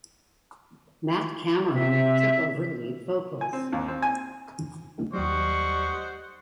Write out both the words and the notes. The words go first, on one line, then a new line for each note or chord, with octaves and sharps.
Matt Cameron took over lead vocals.
C3 E5
G#5
C4
D#2
C4
G#5
D#2 F#3 G3 C5 D#5 F#5 C#6